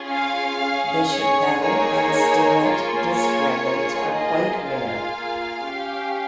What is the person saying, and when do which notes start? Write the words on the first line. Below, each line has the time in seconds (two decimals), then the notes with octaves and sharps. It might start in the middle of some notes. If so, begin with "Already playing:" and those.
The Chappelle and Stinnette disc records are quite rare.
Already playing: C#4 F4 G#4
0.09 F5
0.60 C#4 G#4
1.11 C#5
1.61 A#3 D#4 G#4 C#5
2.62 A#3 F4 G#4
3.12 C#5
3.63 A#3 F4 G#4
4.13 D#5
4.63 A#3 F4 G#4 F5
5.64 C#4 G4